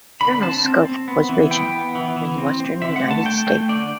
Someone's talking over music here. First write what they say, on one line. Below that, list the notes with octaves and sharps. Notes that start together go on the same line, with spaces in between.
The journal's scope was regional, covering the western United States.
D3 B5
C4 A5
C4
C4
B3
E3
B3 G5
B3
E3
E3
C4
C4
D3 E5
F#5
A3
A5
A3 G5
A3 G5
D3 D5